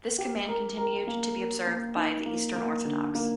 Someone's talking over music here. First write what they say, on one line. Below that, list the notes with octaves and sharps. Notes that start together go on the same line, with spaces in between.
This command continued to be observed by the Eastern Orthodox.
G4
A#4
A#4
A#3
A#4
A#3
D#4
A#3
A#3
D3
A#3